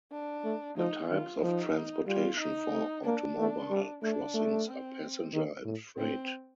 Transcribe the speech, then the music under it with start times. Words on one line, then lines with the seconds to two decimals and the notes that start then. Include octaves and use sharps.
The types of transportation for automobile crossings are passenger and freight.
0.12 D4
0.45 A3
0.77 F3 D#4
1.10 D#3 F4
1.43 F3 D#4
2.07 G3 F4
2.40 D#4
2.72 A3
3.05 A#3 D4
3.38 A3
3.70 G3
4.03 A3 D4
4.35 A3
4.68 C4
5.33 D#3
5.65 A2
5.98 A2 C4